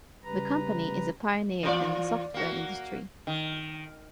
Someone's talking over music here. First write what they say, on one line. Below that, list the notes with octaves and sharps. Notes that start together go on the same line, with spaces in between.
The company is a pioneer in the software industry.
C#3 G3 B4 A#5
E3 F4 D5
A#3 F#4
D#3